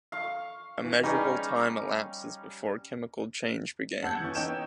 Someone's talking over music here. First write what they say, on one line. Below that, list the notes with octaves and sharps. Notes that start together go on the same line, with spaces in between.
A measurable time elapses before chemical change begins.
F5 C#6
E3
G3 C#4 D#4 G#4
F#5 A5 E6 G6 G#6
E3 B3 C#4
D#4 C#5 G5 G6 E7